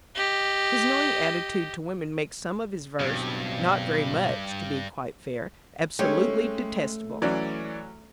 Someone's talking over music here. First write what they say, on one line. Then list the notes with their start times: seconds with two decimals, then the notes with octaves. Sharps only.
His knowing attitude to women makes some of his verse--not very much, to be quite fair--absolutely detestable.
0.16 G4 D#5
3.00 G2 B2 F#3 C4
5.99 G#3 A3 C#4 G4 C#5
7.22 E3 F#3 C#4 F#4 D5